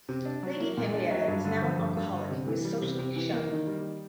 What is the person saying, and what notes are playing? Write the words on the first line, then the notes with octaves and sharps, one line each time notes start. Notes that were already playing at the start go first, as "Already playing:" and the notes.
Lady Henrietta is now an alcoholic who is socially shunned.
C3
D4
F#3
A#3
A#2
D4
F#3
G2
D3
F3
G2
G2
D3
C3
E3
G3
C3
C3
E3
A#3
D#3
G3